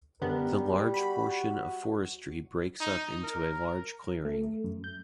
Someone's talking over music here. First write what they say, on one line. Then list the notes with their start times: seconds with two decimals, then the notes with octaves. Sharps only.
The large portion of forestry breaks up into a large clearing.
0.22 F#2 D3 G3 B3 A#4
0.94 F#4 B5
2.80 D#4
3.24 A#4
4.25 A3
4.64 F#2
4.84 G6